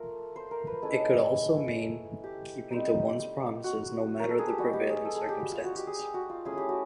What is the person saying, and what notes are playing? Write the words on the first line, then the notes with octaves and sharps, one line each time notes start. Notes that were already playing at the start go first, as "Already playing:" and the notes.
It could also mean keeping to one's promises no matter the prevailing circumstances.
Already playing: A3 F4 A#4
C5
A#4
B4
G#3 C#4 E4 A4
G4
G3 C4 D#4
F#4
A#4
A4
G#4
G4
G3 B3 D#4 F#4
G4
G#4
A4
G#4
G4
F#4
F4
F#4
G4
G#4
G4
F#4
F4
A3 C#4 E4 G#4
G4
F#4